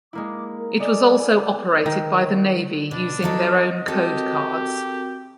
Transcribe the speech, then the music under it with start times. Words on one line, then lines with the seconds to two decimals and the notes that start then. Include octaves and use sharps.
It was also operated by the Navy using their own code cards.
0.13 G#3 A#3 E4 D6
0.58 A#4
0.80 A4 D5 D#5 G#5 D6
1.86 D#3
2.91 B2 D4
3.22 F3 F#3 A4 D#5
3.88 C4 F#4 G4 A4 A#4